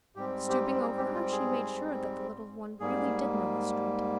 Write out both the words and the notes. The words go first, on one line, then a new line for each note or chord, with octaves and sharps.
Stooping over her she made sure that the little one really did know the street.
G#2 G3 C4 G4
G4
G#4
G4
F4
G#4
G#2 G3 A#3 G#4